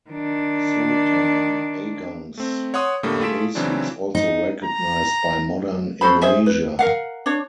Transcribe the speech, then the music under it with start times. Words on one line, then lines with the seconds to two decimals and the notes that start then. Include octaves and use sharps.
Sultan Agung's legacy is also recognised by modern Indonesia.
0.10 D#3 D4
2.38 A3 C4
2.74 C#5 F#5 C6 D#6
3.03 A2 D3 G3 A3 A#3
3.21 A3 F4 G#4 B6 D7 E7
3.55 C#3 E3 F#3 C4 D4
4.15 D#4
4.65 A#5
6.01 F#4 A4 C5 B5
6.22 G#4 C5 E5 G#5
6.46 B4
6.79 A#4 F5 F#5
7.26 D4 C#5